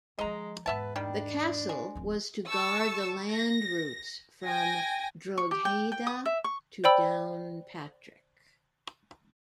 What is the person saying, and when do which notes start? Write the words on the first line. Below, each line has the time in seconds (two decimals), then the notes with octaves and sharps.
The castle was to guard the land routes from Drogheda to Downpatrick.
0.19 D#3 F3 G#3 D#5 A#5
0.66 E2 G#2 B3 B4 E5 A5
0.96 D#3 G3 D4
1.69 G#3
1.95 D1 F3
2.49 A5 C#6 E6
3.31 A#6
4.44 G5 G#5 A#6
5.38 C#6
5.51 G4
5.65 G5
5.92 G5
6.07 D#6
6.25 E5
6.44 C#6
6.84 C5 D5 G5 B5 E6